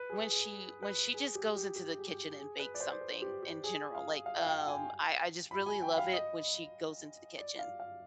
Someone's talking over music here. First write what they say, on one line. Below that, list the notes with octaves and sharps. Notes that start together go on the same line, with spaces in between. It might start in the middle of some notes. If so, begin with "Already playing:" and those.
when she when she just goes into the kitchen and bakes something, in general, like, um, I I just really love it when she goes into the kitchen.
Already playing: B4
G#4
G#4
B4
G#4
G4
G4
G4
G#4
G4
G#4
B4
D5
C5
B4
G4
G4
G#4
F5
F5
F5
G5
G#5
B5
G#5
G5
F5
D#5
D5
F5
F5